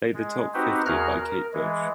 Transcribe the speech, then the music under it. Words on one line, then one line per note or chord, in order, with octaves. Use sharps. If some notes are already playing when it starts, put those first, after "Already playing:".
Play the top fifty by Kate Bush.
G#3
C4 D#4 F#4 G4 B4 C5
E2 F#4 G#4 A#4 F6 F#6
A#4
E3 G#3